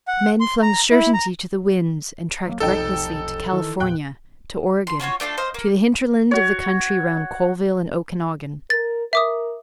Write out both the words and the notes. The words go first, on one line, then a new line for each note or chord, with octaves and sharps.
Men flung certainty to the winds and trekked recklessly to California, to Oregon, to the hinterland of the country round Colville and Okanagan.
F#5
C6
A#5
E4
A#5
F#3 A3 A#3
F1 B1 D#4 A4 G5
D#3 E3
E2 A#2 G5 F#6
C6
C#4 F4 F#4 C#5
A3 D4 F4 A4
C5 D#5 F5
A#3
F#4 C#5
A#4 A6
A#4 E5 D6 D#6